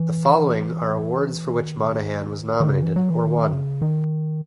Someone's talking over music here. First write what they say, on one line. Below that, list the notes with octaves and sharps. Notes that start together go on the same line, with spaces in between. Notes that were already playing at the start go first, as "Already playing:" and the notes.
The following are awards for which Monaghan was nominated, or won.
Already playing: E3
D#3
D#3
C#3
E3
F#3
E3
D#3
C#3
D#3